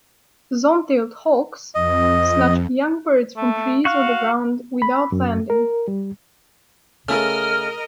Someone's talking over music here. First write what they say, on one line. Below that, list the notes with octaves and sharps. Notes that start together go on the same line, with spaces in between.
Zone-tailed hawks snatch young birds from trees or the ground without landing.
F2 D#5
A3
F#4 F5 C#6 F#6
B5
F#2
A#4
G3
C#3 A3 A#4 D#5 F6